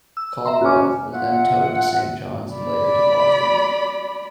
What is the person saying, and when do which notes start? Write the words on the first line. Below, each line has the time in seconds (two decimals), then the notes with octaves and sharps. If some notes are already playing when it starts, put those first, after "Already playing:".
"Caldwell" was then towed to Saint John's and later to Boston.
0.17 E6
0.45 E5 A#5 C6
0.61 C#4 F#4 D6
1.13 F4 E5 F#5
2.56 D5 B5